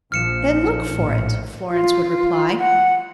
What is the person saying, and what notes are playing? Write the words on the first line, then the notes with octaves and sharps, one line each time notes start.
"Then look for it!" Florence would reply.
A#1 F3 F6 C#7 E7
A#1 A2
F4
F#5